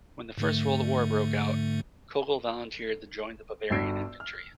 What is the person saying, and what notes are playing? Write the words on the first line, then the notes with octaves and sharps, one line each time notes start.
When the First World War broke out, Koegel volunteered to join the Bavarian infantry.
G#2 D3 A3
G1 G2 F#4 E6 C7 D7
F6